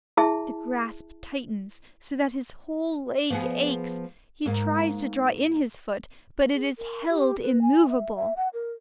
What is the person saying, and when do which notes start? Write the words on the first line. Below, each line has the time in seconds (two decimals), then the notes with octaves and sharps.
The grasp tightens, so that his whole leg aches; he tries to draw in his foot, but it is held immovable.
0.17 E4 G#4 E5 A5
3.30 F3 B3 G#4
4.46 G#2 A#3
6.54 G#4
6.78 A#4
7.09 G4
7.43 B4
7.62 G#5
7.89 E5
8.16 E5
8.37 F#5
8.54 A#4